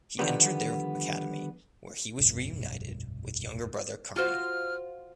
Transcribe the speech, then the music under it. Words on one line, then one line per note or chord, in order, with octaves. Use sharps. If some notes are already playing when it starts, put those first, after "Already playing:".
He entered their Academy where he was reunited with younger brother Carney.
D3 D#3 F3 G3 B3
F1 B1 G2 B2
F4 F#4 C5 F6